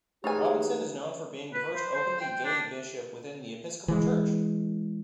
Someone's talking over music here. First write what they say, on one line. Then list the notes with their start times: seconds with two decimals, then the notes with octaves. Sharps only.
Robinson is known for being the first openly gay bishop within the Episcopal Church.
0.24 E2 A3 D#4 G4 G#4 B4 C#5 G#5
1.54 B4
1.75 C5
1.95 C5
2.21 G5
2.45 D4
3.88 E3 G#3